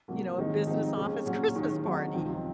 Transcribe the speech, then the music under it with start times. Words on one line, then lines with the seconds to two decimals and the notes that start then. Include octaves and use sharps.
You know, a business office Christmas party.
0.08 C2 C3 F#3 A#3
0.37 D#2 D#3 G#3 C4 D#4
0.66 G#2 F3 C4 D#4
0.96 D#2 C#3 G#3 C#4
1.26 A#2 F#3 C#4
1.55 D#2 D#3 G#3 C#4
1.84 D#2 D#3 F#3 C4 D#4
2.14 C#2 C3 F3 C4 D#4